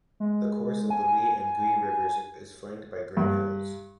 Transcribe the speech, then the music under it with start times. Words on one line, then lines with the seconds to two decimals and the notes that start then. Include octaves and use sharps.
The course of the Li and Gui Rivers is flanked by green hills.
0.20 G#3
0.90 G#5
3.17 G2